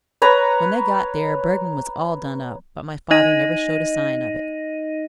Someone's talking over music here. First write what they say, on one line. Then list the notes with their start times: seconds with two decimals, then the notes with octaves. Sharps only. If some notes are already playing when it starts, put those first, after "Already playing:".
When they got there Bergmann was all done up, but my father never showed a sign of it.
0.22 B4 C#5 A#5
3.11 D#4 D#5 A#6 D#7